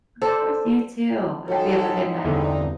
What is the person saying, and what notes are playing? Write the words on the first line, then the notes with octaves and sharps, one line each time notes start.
Of course, you too! I hope you have a good night.
A4 C5 D5
G#2 F#4 A4 C#5 G5
A1 E2 G2 D3 C4 D#4